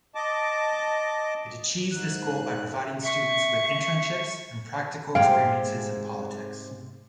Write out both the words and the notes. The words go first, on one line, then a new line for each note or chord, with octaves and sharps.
It achieves this goal by providing students with internships and practical experiences in politics.
D#5 A5 D6
G#2 F#6
E5 C#6
G#2 C3 G#3 F5 G5